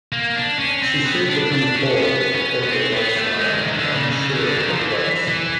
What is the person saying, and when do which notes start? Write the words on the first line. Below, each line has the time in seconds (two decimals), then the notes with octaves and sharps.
She soon becomes bored with the courtly lifestyle and unsure of her place.
0.12 A#3
0.36 D4
0.59 C#4
0.82 C4
1.06 B3
1.30 D4
1.52 D4
1.77 C#4
2.00 B3
2.35 C#4
2.63 B3
2.70 C4
2.93 B3
3.16 A3
3.40 G#3
3.50 D3
3.58 D#3
3.68 D#3
3.76 D3
3.92 C#3
4.11 C#3
4.34 D3
4.58 D#3
4.70 F3
4.81 E3
5.28 E3